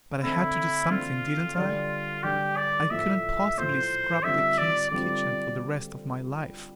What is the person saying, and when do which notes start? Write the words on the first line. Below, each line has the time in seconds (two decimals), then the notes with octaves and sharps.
But I had to do something, didn't I?--I couldn't possibly scrub the King's kitchen for the rest of my life.
0.23 D3 A3 C4 E4
0.90 D3 A3 C4 F4
1.57 D3 G3 D4 F4
2.24 D3 G3 D4 G4
2.57 D5
2.91 A2 F3 A3 E5
3.57 A2 F3 A3 C5
4.24 D3 G3 C4 F4 E5
4.58 D5
4.91 D3 G3 C4 F4 D5